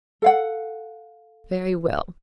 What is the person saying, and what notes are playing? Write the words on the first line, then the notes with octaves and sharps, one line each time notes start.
'Very well.
A4 F5 F#5